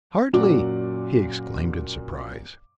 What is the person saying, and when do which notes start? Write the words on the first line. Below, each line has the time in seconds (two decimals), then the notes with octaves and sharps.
"Hartly!" he exclaimed, in surprise.
0.33 F#2 A#2 F#3 F#4 D5 D6